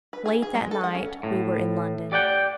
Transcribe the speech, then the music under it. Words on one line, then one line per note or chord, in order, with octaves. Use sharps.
Late that night we were in London.
B4
G#4
G#4
G#3
A4
F#5
C#4
A2
G4 D5 F#5 G5